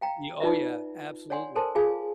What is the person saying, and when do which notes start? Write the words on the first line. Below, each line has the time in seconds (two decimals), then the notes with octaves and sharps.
Y oh, yeah, absolutely,
0.01 F5 G5 A#5
0.40 D#4 F4 B4 D5 E5
1.30 C#5 D5 F#5 G#5 C6
1.55 A4 A#4 C5 G#5 A5 C6
1.75 F4 G#4 F5 G#5